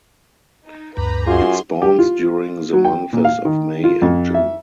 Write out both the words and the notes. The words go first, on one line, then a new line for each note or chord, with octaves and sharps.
It spawns during the months of May and June.
D#4
D2 G2 B4 A#5 B5
F#2 F4 G#4 C6
G4
F4
F#3
G5
A#2
F5
D#3
F4
F2
E5